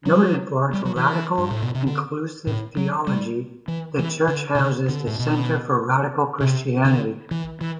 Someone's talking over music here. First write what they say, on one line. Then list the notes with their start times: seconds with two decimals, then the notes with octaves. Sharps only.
Noted for its radical, inclusive theology, the church houses the Centre for Radical Christianity.
0.06 F#3
0.73 G3
0.85 F#3
0.96 E3
1.38 G2
1.51 A2
1.62 B2
1.75 C3
1.87 D3
2.47 A2
2.77 F#3
3.07 G3
3.68 E3
3.99 E3
4.28 D3
4.55 C3
4.58 D3
4.89 D3
5.07 A2
5.19 B2
6.40 C3
6.85 D3
7.31 E3
7.61 E3